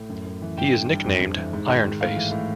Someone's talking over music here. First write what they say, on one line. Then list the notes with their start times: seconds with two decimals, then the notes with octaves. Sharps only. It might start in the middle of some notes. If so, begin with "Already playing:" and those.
He is nicknamed "Iron Face".
Already playing: A2
0.10 F#2
0.26 F#2
0.42 E3
0.57 G2 G5
0.73 D3
0.90 G2
1.04 F2
1.20 F2
1.36 E3
1.53 G#2
1.69 D#3
1.84 G#2
2.00 A2 F5
2.16 E3
2.32 A2